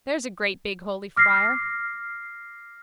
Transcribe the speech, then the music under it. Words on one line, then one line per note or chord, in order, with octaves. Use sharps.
There's a great big holy friar.
D6 F6 A#6 C7